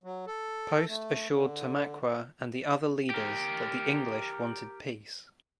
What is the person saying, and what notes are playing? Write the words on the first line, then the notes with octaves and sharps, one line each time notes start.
Post assured Tamaqua and the other leaders that the English wanted peace.
F#3
A4
A3
D3
G4 A#4